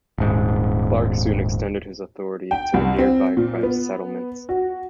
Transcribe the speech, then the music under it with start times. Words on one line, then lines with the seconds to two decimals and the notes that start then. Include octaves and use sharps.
Clark soon extended his authority to the nearby French settlements.
0.18 D#1 G#2
2.51 G5
2.74 C2
2.99 C4
3.37 A#2
3.63 B3
4.49 F#4